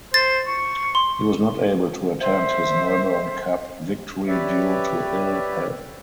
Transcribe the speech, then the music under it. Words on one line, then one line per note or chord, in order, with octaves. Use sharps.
He was not able to attend his Melbourne Cup victory due to ill health.
C5 A6
C#6
C6
C5 E5
G4 B4 C#5 D5 E5